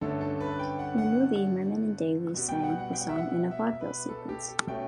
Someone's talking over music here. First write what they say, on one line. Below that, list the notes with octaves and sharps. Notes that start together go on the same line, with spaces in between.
In the movie, Merman and Dailey sang the song in a vaudeville sequence.
G2 D3 A3 C#4 A4
A4
B4
G5
F#5
F#5
B2 G3 B3
G5
F#5
F#5
G5
F#5
E5
F#5
E5
B4
A4
G4
A4
B2 A3 C#4 G5